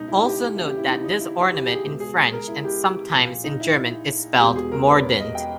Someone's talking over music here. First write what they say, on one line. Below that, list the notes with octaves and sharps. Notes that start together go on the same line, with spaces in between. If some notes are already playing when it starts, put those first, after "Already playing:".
Also note that this ornament in French, and sometimes in German, is spelled "mordant".
Already playing: C#2 B2 D#4
E4
G4
D#2 C#3 E3 E4
G4
E4
D#4
D#4
E4
E4
G4
G4
G#4
C#2 B2 G4
G#4
G#4
A#4
E4
G4
A#1 A#2
D#4
E4
E1 E2 B2 G4
G#4
A#4
B4
C#5
D#5
G5